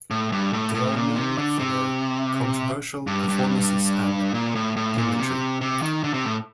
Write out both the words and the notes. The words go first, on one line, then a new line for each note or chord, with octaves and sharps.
They are known for their controversial performances and imagery.
A2
G2
A2
A2
A#2
C3
D3
C3
G2
G2
A#2
A2
A2
A#2
C3
C3
D#3
D3
C3
A2